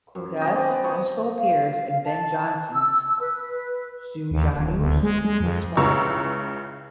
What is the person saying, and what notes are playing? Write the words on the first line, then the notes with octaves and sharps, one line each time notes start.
Cordus also appears in Ben Jonson's "Sejanus: His Fall".
F#2
C4 C#4 D#5 G5
C5 D5 D#5
B3
F3 C#5 D#5 B5
F5
A5
E6
B4
D#2
D1
D2
G#3
G#3
F2
C#2 C#3 E4 A#5 C#6 E6